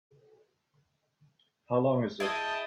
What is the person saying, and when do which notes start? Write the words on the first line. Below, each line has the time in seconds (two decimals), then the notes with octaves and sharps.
How long is it?
2.20 E4 G#4 D#5 G5 A5 D#6